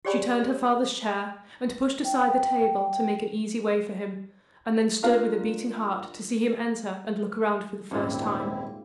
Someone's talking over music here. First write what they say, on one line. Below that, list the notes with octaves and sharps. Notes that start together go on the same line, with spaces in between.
She turned her father's chair, and pushed aside the table to make an easy way for him, and then stood with a beating heart to see him enter and look round for the first time.
G4 G#4 C#5 D5 G#5 B5
G5
D4 F4 A#4 F5
D#1 G#2 A#3 C4 C#4 E4 F4